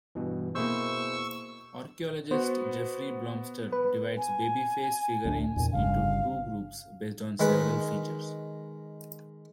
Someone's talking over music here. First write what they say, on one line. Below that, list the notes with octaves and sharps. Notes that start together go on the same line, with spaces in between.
Archaeologist Jeffrey Blomster divides baby-face figurines into two groups based on several features.
G2 B2 E3
B2 A#3 E4 G#4 C5 C#6 E6
B3 F#4 C5
B4
G#5
D2 A3 D4
E2 A#2 G#5
G1 G2 C#3 F5
D#3 G#3 B4